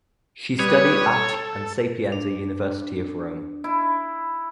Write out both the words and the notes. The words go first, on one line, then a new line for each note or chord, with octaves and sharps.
She studied at and Sapienza University of Rome.
G3 B4 C#5 D#6
A4
D4
E4